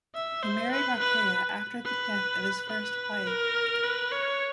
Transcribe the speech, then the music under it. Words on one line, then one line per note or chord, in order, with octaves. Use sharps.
He married Rokeya after the death of his first wife.
E5
C5
B4
B4
B4
B4
A#4
B4
C#5